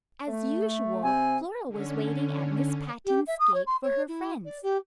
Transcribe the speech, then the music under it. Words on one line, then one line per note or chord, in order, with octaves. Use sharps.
As usual Flora was waiting at Miss Patten's gate for her friends.
A3
C3 C4 G#5
D3 C#4
G4
E5
D#6
C#5
C6
C#5
E4
D5
G4